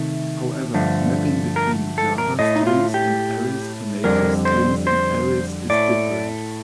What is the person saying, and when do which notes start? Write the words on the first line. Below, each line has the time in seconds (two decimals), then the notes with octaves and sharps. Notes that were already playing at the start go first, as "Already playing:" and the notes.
However, mapping between Java Strings and arrays to native strings and arrays is different.
Already playing: C3 D#3 A3
0.74 G2 D3 F3 A3
1.56 A#4
1.98 A4
2.18 A#4
2.39 A2 A3 D#5
2.56 D#4
2.67 F4
2.94 G4
4.04 F2 D3 G3 A#4
4.45 C5
4.87 C5
5.70 A2 A3 D5